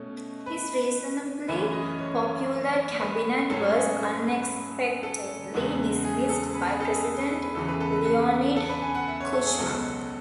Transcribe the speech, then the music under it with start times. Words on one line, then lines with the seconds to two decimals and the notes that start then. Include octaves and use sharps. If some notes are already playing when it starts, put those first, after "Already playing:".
His reasonably popular cabinet was unexpectedly dismissed by President Leonid Kuchma.
Already playing: B2 A3 C#4
0.46 B4
1.48 F#2 E3 A3 C#4 B4
1.73 D#5
1.99 C#5
3.00 B4
3.50 G#2 F#3 A3 C#4 A4
3.76 G#4
4.01 A4
4.27 B4
5.03 A4
5.54 E2 C#3 G#3 B3
6.04 G#4
6.29 A4
6.54 B4
6.68 G#4
6.80 A4
6.93 G#4
7.04 A4
7.18 B4
7.31 A4
7.42 B4
7.55 E2 C#3 E3 A4
7.68 B4
7.80 A4
7.93 B4
8.05 A4
8.56 A4
8.69 B4
8.82 G#5
8.95 F#5
9.08 E5
9.20 C#5
9.33 A4
9.45 G#4
9.58 C#2 B2 F#3 B3 A4